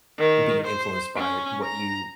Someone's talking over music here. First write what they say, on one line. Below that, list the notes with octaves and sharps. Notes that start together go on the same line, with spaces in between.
and being influenced by what you
D#3
C5
C#4
A#5